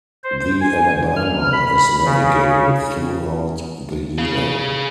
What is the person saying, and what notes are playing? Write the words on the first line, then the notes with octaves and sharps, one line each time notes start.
The Alabama is navigable throughout the year.
C5
G#5
F6
B5
C#3
G#4 F5